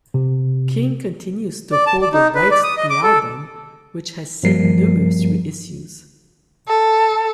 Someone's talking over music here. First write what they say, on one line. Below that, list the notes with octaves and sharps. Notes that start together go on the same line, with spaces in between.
King continues to hold the rights to the album which has seen numerous reissues.
C3
D5
A5
D5
D#4
B4
D5
D#6
D#5
D6
A4
G2 F3 G3 A#3 A#4 C7
A4